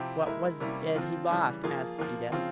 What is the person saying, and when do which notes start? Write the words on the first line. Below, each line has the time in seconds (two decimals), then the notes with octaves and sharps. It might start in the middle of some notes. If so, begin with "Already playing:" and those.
"What was it he lost?" asked Edith.
Already playing: C3 F3 C4 E4 G4
0.26 G#3 E4 A#4 E5
0.60 C3 G3 A#3 C#4 E4
0.95 F3 C4 F4
1.29 C#3 E3 G3
1.64 F3 A#3 F4 G#4
1.99 F3 A#3 F4
2.32 C#3 F3 C4 F4